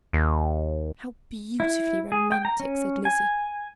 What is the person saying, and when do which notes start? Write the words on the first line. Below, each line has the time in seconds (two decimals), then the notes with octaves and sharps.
"How beautifully romantic!" said Lizzie.
0.13 D#2
1.60 E4
2.12 G#4
2.32 G5
2.45 A#5
2.60 C#4
3.05 G#5